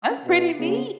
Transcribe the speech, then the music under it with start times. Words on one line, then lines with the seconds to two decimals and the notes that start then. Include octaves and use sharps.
That's pretty neat.
0.10 C#4
0.25 B2
0.59 C#3 B3
0.69 A#3
0.77 B3